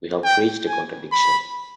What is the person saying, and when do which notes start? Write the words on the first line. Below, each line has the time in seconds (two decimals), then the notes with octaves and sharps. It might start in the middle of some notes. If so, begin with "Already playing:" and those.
We have reached a contradiction.
0.24 G5
0.68 G#5
1.12 B5